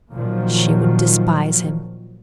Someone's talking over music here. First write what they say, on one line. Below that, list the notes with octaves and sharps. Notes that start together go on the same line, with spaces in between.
She would despise him.
A#2 D#3 F3 F#3